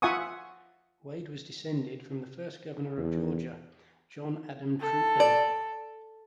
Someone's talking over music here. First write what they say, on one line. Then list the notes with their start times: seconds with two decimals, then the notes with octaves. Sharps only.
Wade was descended from the first governor of Georgia, John Adam Treutlen.
0.02 F4 E5 F#5 G#5 C#6 D#6
2.97 E2
4.80 A4
5.20 D5